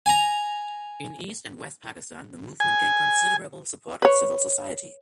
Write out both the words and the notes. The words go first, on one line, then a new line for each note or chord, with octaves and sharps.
In East and West-Pakistan, the movement gained considerable support in civil society.
G#5 A#5
G#5
B4 C#5